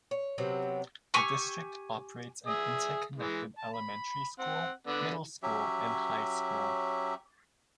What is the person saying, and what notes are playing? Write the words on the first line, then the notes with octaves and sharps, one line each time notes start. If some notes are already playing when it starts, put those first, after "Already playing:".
The district operates an interconnected elementary school, middle school, and high school.
C#5
C3 F#3 B3 C4
G4 G#5 C#6 E6
G#4 E5 D#6
E3 G#3
A5
B5
C4 F#5
D3 B3 D4
F#3 C#4 G4 E5